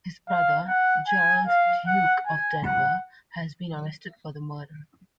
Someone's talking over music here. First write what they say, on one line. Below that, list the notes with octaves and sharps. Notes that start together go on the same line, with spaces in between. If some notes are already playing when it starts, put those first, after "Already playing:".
His brother, Gerald, Duke of Denver, has been arrested for the murder.
F5
F#5
G#5
F5
F#5
G#5
F#5